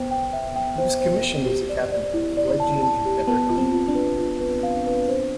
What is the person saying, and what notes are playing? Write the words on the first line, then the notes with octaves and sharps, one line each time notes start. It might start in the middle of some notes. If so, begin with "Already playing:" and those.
He was commissioned as a captain in the fledgling Confederate army.
Already playing: B3 C5 G5
G5
E5
G5
C5
C5
C5
G4
D5
D5
E4
D5
A5
A5
G4
B3 A5
F4
C4
F4
D4
B4
F4
B4
F5
B4
C5